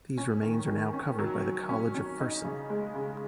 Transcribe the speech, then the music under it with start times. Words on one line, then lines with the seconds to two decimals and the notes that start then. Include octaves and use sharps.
These remains are now covered by the College of Fersen.
0.18 C#4
0.43 D#3
0.67 D#3
0.93 C#4
1.19 F#3
1.44 F#3
1.69 C#4
1.95 C#4
2.20 D#4
2.45 C#3
2.70 G#3
2.95 C#3